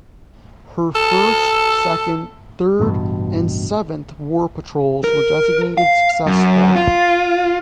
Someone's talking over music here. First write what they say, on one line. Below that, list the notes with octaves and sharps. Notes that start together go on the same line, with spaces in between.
Her first, second, third, and seventh war patrols were designated successful.
A4
A1 G2 B2
A#4
F5
F#2
F4